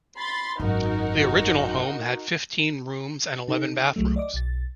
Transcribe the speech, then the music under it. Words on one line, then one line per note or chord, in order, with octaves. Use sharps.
The original home had fifteen rooms and eleven bathrooms.
B5 C6 A6
G#1 F#2 D#4 F#4 A#4
C#3 D#4 A4
C2 F#3 G#3 A3
D5 D#5 D6
B1 A6